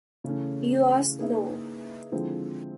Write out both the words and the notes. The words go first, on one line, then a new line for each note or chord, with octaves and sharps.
You are slow!
C#3 E3 A3 C#4
A#3 D#4 G#4 B4 E5
D3 F3 G#3 C4 E4